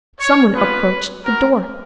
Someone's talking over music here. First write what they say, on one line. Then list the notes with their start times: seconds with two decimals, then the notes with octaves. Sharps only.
Some one approached the door.
0.20 C#5
0.54 B3 F4 B4
1.24 B3 F#4 A#4